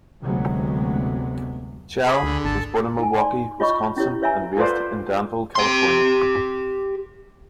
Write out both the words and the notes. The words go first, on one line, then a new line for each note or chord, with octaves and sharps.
Chiao was born in Milwaukee, Wisconsin and raised in Danville, California.
F1 D2 C3 F#3 G#3 B3
G#4 B5
D2 D3
G#1 A4 A5
D#4 G#5
D5 G#5 C6
F4 C#5 D#5 B5 C#6
C#4 E4 G4 C#5
B4 C#5 E5 G#5 A#5
F4 A4 B4 C5 D5
G4 C6